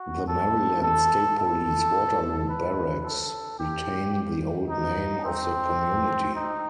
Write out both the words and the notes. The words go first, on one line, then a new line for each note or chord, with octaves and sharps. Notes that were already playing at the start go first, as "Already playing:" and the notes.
The Maryland State Police Waterloo barracks retain the old name of the community.
Already playing: F#4
A4
A4
A4
B4
A4
G4
D#4
C4
D#4